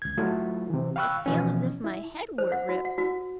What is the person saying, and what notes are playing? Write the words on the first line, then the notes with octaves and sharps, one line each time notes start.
"It feels as if my head were ripped."
C#2 G#6
F#3 A3 E4 F4
C3 E3
F5 G5 B5 C#6 E6 F#6
B2 E3 F3 B3 C#4
E4
C5
F#5
F#4
F#5
F#4